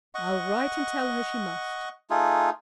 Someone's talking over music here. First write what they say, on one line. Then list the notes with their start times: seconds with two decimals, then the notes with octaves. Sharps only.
I'll write and tell her she must.
0.15 D#5 F#5 C#6
2.10 A3 D#4 F4 G#4